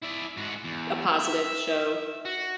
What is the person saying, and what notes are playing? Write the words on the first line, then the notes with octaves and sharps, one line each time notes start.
a positive show.
E4 D5
G#2 F#4
E2
E5
F#4